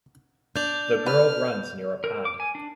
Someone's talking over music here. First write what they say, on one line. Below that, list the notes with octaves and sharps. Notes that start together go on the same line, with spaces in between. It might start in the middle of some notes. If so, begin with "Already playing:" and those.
The girl runs near a pond.
D4 D5 G6 F7
B4 F6
A#4
D6
G#5
D4